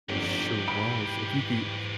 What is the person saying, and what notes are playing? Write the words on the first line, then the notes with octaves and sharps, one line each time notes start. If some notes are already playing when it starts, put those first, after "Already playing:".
Sure was. If you could
G1 F2 G#2 E3 G4
B5 D7